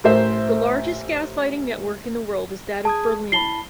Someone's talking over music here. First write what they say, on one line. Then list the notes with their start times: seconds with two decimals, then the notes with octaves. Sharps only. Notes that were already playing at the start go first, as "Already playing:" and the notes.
The largest gas lighting network in the world is that of Berlin.
0.04 A1 A#4 C5 E5
2.85 G#4 A5 D#6 G#6
3.32 E4 A5 B5 C7 G7